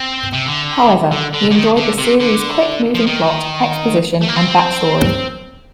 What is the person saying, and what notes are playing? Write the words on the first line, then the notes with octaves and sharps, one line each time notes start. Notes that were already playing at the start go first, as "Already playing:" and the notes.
However, he enjoyed the series' quick-moving plot, exposition, and backstory.
Already playing: C4
C3
D3
D3
D3
D3
D#3
D3
C3
D3
F3
D#3
A3
A#3
C4